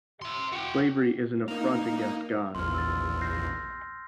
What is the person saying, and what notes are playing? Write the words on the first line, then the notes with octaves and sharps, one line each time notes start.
Slavery is an affront against God.
E5 C6
F#4 G5
A#3 D#4 F7
A#1 E2 C6 F6
E6 A6
G6 A#6 C7